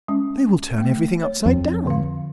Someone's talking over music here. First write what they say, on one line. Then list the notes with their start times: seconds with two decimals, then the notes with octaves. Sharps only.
"They will turn everything upside down."
0.08 G#3 C#4
0.78 A3 B3
1.23 C#5
1.46 F2
1.87 D3 F5